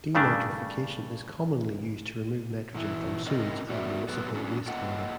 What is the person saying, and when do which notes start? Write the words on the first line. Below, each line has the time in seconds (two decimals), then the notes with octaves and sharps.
Denitrification is commonly used to remove nitrogen from sewage and municipal wastewater.
0.15 G2 C#3 A3 A#3 D4
2.74 A#2 E3 E4
3.26 A3 C4 C#4 E4 A#4 D#5
3.69 B3 F#4 A#4 D5 E5
4.09 F#3 B3 F#4 G#4 A4 B4
4.34 F#3 C#4 D4
4.67 A#3 F4 A4 D#5 F#5 G5